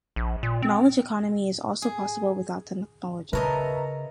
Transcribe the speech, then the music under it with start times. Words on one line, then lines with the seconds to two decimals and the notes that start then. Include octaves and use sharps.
Knowledge economy is also possible without technology.
0.16 A#1
0.43 A#2
0.62 C4
1.82 G#4
3.33 C#3 A#4 B4 C#5 D#5 E5 A5 A#5